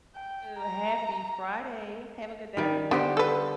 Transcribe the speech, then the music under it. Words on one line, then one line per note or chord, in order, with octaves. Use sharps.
Happy Friday. Have a good day.
G5
A#5
D#3 G3
D3 B3 G4 C5
A4 B4